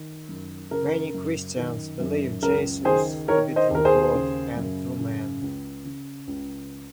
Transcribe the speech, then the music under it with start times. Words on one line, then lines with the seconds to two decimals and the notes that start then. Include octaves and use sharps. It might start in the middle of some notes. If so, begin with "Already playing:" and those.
Many Christians believe Jesus to be true God and true man.
Already playing: D#3
0.29 F#2
0.71 C#3 A#4
1.14 F#2
1.57 D#3
2.00 F#2
2.42 C#2 A#4
2.85 D#3 G#4 C5
3.28 D#3 A#4 C#5
3.56 C5 D#5
3.71 D#2 A#4
3.85 G#4 C5
4.13 C#3
4.57 F#2
4.99 C#3
5.42 C#2
5.85 C#3
6.28 C#2